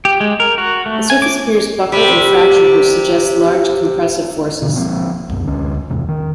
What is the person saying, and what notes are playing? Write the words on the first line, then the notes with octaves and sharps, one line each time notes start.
The surface appears buckled and fractured which suggests large compressive forces.
G4
G#3
A#4
F#4
A3
G#5
D6
C3 G3
B2 D3
F3 A#3 C4
C2 F#2
D2 C#4
A1 E2 C3
D#3